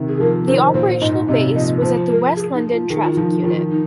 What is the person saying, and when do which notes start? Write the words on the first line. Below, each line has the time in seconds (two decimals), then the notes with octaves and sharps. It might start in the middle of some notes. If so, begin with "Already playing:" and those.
The operational base was at the West London Traffic Unit.
Already playing: C3 D#3
0.09 G#4
0.20 F3 A#4
0.47 D#3 C5
0.74 A#2 C5
1.01 G#2 D#5
1.28 C3 D#5
1.55 F3 D#5
1.82 F3 C5
2.09 A#4
2.36 G#4
2.54 D#4
2.72 F4
2.90 D#3 G#4
3.04 F4
3.17 F3 D#4
3.31 D#4
3.43 D#3 F4
3.71 D#4